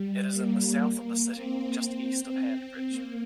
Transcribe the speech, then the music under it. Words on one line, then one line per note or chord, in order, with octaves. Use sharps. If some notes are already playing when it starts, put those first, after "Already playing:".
It is in the south of the city, just east of Handbridge.
Already playing: G3
A#3
C4
A#3